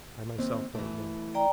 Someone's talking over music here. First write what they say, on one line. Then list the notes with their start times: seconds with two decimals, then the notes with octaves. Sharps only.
I myself don't know.
0.38 D#2 C4
0.75 E3 A3
1.35 D5 G5 A#5